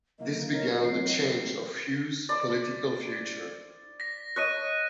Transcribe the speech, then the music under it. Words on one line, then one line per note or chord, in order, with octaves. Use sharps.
This began the change of Hu's political future.
C3 F#3 A#3 E4 D#5
E4 A#4 C#5
E3 F#3 C4 C7
C5 D5
A#6 B6
C#5 D#5 F#6 B6 D#7